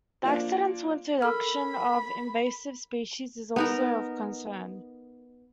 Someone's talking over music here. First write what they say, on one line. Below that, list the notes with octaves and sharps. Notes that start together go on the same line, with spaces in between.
The accidental introduction of invasive species is also of concern.
F3 A#3 D4
A4 A#4 B5 F6
B3 D#4 A#4